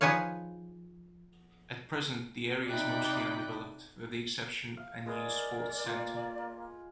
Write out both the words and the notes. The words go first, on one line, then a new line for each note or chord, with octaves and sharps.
At present the area is mostly undeveloped, with the exception a new Sports Centre.
F3 D#4 G#4 B4 C#5 F5
C3 D#4 E4 D5 G5 F#6
F5
G#3 G#4 A#4 B4 D5
A#3 F4